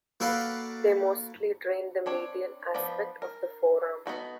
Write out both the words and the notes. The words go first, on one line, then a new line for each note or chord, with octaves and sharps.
They mostly drain the medial aspect of the forearm.
A#3 F#4 A4 B4 D5 F5
C4 D4 C#5
F3 B3 B4 D5
A#4
B3 D#4 F#4 A4